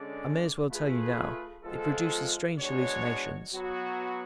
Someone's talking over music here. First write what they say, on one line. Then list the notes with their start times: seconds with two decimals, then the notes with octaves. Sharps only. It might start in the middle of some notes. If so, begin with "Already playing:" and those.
I may as well tell you now, it produces strange hallucinations.
Already playing: D3 G#3 C#4 G#4 D5
0.70 A3 F4 G#4 B4
1.64 F3 G#3 B3 F4 A4
2.58 B2 G#3 D4 F#4 C#5
3.53 F#3 B3 F#4